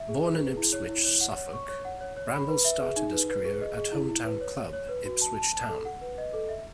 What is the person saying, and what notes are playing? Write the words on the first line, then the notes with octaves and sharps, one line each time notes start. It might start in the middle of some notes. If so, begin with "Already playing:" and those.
Born in Ipswich, Suffolk, Bramble started his career at home town club Ipswich Town.
Already playing: E5
G#4
B4
G#4
E4
C#5
E4
C#5
F#5
C#5
C#6
C#5
F#5
C#5
C#5
B5
B4
E5
G#4
D#4
B4
B4
G#4
D#5
G#4
E4
E4
B4
C#5
C#5
C#5
B4
F#4
A5
A5
A5
A4
F#5
B4
D#5
A4
E5